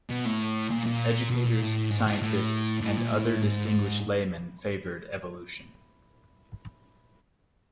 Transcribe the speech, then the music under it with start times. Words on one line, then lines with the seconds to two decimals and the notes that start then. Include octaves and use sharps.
Educators, scientists, and other distinguished laymen favored evolution.
0.10 B2
0.26 A2
0.70 A#2
0.86 A#2
1.30 B2
1.46 A#2
1.62 A2
1.91 G#2
2.06 A2
2.22 A2
2.81 A2
2.97 A#2
3.12 A2
3.42 G#2